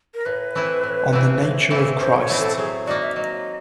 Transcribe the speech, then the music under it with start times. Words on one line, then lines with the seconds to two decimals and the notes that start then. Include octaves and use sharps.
On the Nature of Christ.
0.15 A#4
0.26 A2 B4
0.55 E3 A3 C4 E4
0.83 A2
1.13 E3 A3 C4 E4
1.42 A2
1.71 E3 A3 C4 E4
2.00 A2 C5
2.19 C#5
2.29 E3 A3 C4 E4
2.39 A4
2.58 F#3 G#4
2.87 A#3 D#4 F#4 D5
3.02 E5
3.16 F#3 D#5